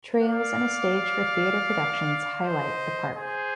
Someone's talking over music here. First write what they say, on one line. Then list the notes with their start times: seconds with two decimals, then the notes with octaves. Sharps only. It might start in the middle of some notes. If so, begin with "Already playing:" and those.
Trails and a stage for theatre productions highlight the park.
0.21 D5 F5
2.42 C5 D#5
3.15 G#4 C5